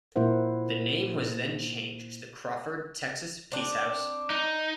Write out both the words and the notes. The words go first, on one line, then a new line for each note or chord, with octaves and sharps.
The name was then changed to the Crawford Texas Peace House.
A#2 A#3 E4 A#4 C5 F#5
C4 D4
D#4